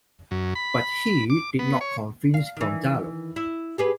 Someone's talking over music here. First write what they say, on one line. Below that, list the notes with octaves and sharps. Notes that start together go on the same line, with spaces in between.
But he did not convince Gonzalo.
F#2
B5
D6
B3
C#5
F5
D#3 E3
E4
G4 G#4 B4